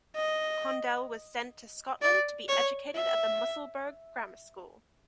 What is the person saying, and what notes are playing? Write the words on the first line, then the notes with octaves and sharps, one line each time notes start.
Condell was sent to Scotland to be educated at the Musselburgh Grammar School.
D#5
D5
C#5
E5